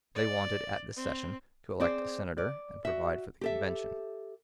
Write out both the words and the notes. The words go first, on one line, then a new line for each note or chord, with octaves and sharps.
They wanted at this session to elect a senator and provide for the convention.
D5
C4
C4 G#4 C5 D5
D5
F#4 E5
G4 A4 E5